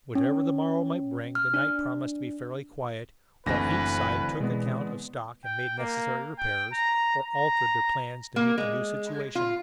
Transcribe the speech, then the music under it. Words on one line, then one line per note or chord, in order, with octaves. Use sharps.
Whatever the morrow might bring, the night promised to be fairly quiet, while each side took account of stock and made necessary repairs, or altered their plans to meet the new situation.
C#4
F6
D4
F#1 D2 D3 E3 C4 B4 A#6
B2 G#3 B3
G5
A#3
G5
A#5
A#5
A#3
G#3
F4